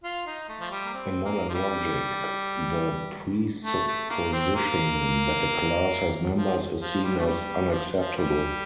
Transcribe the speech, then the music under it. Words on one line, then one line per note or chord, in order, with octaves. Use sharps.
In modern logic, the presupposition that a class has members is seen as unacceptable.
F4
D#4
A3
F3
G3
A#3
C4
A#3
F3
G3
A3
A3
A#3
C4
A#3
F3
F3
G3
A3
G3
F3
F3
G3